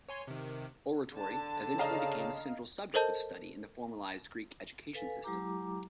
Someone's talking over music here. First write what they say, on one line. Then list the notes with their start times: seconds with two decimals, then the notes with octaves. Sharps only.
Oratory eventually became a central subject of study in the formalized Greek education system.
0.09 C#5 G#5 C6
0.27 C3 D#3
1.15 D3 A5
1.78 C#3 D#5 F5 A#5
2.94 A4 A#4 C5 D#5 A5 G6
4.93 A4 B4 F5 G#5
5.24 F#3 G#3 E4 G4 A#5 D6